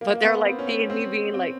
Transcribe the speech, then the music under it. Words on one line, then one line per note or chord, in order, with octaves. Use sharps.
But they're like seeing me being like
A#3
A#3
B3
C4
C#4
C4
C#4
C4
C4